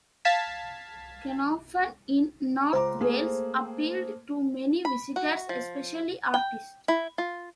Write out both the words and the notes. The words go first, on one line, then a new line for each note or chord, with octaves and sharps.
Caernarfon in North Wales appealed to many visitors, especially artists.
F5 A5 G#6 B6
C#2 C5 A#5 D6
A3 A#3 G#4
B5
F#4
F3
G5
E4
F4